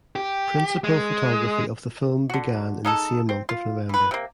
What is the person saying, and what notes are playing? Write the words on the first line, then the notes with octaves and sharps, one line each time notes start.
Principal photography of the film began in the same month of November.
G4
G#3
D3 F#4
G#3 D#4 A4
C4
F4
E3 B4
C3 A#3